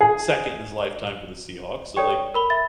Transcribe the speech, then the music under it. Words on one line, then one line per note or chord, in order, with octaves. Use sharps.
second in his lifetime for the Seahawks, so like
G#4
A4 C#5 D5 G5 C#6
A#4 B5 G7
E5 B5 A6